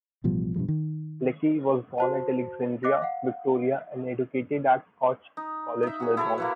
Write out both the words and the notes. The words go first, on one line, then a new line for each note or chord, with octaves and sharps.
Leckie was born at Alexandra, Victoria and educated at Scotch College, Melbourne.
A1 B2 F3 G3
G2 B2 F3 G3
D#3
F#4 C5 A5
D#5 D6 F#6 A#6
F5 F#5
D#4
D#4 E5
F#4 G#4
E4 A4 C#5
A#3 E4 B4